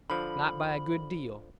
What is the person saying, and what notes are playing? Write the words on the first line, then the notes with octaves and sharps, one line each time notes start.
Not by a good deal.
D3 F3 B5